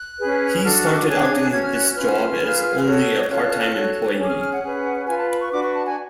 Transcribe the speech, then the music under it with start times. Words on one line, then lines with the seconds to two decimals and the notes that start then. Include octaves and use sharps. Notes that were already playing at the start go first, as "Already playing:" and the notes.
He started out in this job as only a part-time employee.
Already playing: F#6
0.19 C#4 G#4 B4
0.62 D4 F#4 A4 F6
0.74 F#6
0.85 F6
0.96 D6
1.07 D4 G#4 C#5 F#6
1.22 G#6
1.37 F#6
1.51 C#4 F#4 C#5 G#6
1.63 F6
1.74 F#6
1.96 C#4 F4 B4 F6
2.40 F4 G#4 B4
2.85 F#4 A4 C#5
3.29 C#4 F4 A4 C#5 F#6
3.74 F#4 A4 C#5
4.17 C#4 G#4 C#5
4.24 D6
4.29 F6
4.40 F6
4.51 F#5
4.63 C#4 G#4 B4
5.07 F4 B4 G#5
5.17 A5
5.29 B5
5.40 C#6
5.51 D4 F#4 B4 D6
5.63 C#6
5.74 A5
5.84 G#5